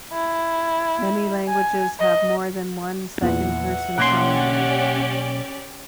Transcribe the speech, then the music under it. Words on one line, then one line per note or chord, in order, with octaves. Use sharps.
Many languages have more than one second-person pronoun.
E4
G#5
D#5
E2 A#2 F4 E5 F#5
B1 A#3 C#4 G4 D5 C6 F#6